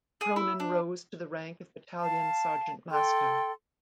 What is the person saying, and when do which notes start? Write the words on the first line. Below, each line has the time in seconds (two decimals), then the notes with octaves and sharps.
Cronin rose to the rank of Battalion Sgt Master.
0.21 G#4
0.36 E4
0.60 D4
2.00 F5 A5
2.91 A4 G5 C6